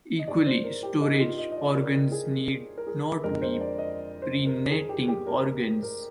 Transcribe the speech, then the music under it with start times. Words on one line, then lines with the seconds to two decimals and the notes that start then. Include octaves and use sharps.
Equally, storage organs need not be perennating organs.
0.19 D#5
0.27 G#2 D#3 G#3 D5
0.46 C5
0.64 A#4
0.83 G4
1.01 D#4
1.20 F4
1.38 D#5
1.52 D#5
1.57 D5
1.75 A#4
2.12 G#4
2.78 A#4
2.87 G#4
3.24 F2 D3 G#3 A#4
3.42 C5
3.61 D5
3.79 D#5
4.22 C5
4.46 A#4
4.71 G#4
4.89 G4
5.08 G4
5.27 A#4
5.83 A#4